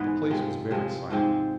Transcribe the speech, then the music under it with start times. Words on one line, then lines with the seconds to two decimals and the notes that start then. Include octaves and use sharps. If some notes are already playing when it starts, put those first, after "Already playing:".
The place was very silent.
Already playing: G#2 E3 G#3 B3
0.30 C3 F3 G#3
0.71 C3 F3 G#3
1.10 G#2 F3 G#3 C4